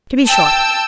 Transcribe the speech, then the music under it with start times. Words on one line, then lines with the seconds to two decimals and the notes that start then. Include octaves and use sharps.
To be sure!
0.25 G5 A5 E6